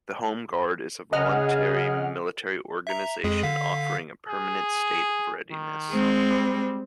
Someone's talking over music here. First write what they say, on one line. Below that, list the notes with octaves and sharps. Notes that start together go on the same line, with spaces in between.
The Home Guard is a volunteer military organization offering a permanent state of readiness.
C#3 G#4 D#5 F#5 F6
E5 A#5
F2 G#3 G#4
D3 F5 B6
G#4
D#3
G#3 C4
G3